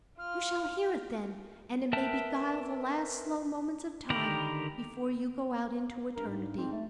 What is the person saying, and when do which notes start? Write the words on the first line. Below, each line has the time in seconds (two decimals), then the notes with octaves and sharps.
"You shall hear it, then, and it may beguile the last slow moments of time before you go out into eternity."
0.19 F4 F6
1.93 A#4 B4 E5 G5 A5
4.10 D3 D#3 G4 A#4 B5
6.16 G2 A#4
6.28 G#2
6.57 G#2 C4
6.72 A3